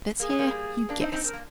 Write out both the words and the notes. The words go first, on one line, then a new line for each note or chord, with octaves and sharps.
Let's hear you guess.
A#3 G#4
G#3
G3 A#3
A#3 D4
C4 D#4
C4 D#4
C4 A#4
A#3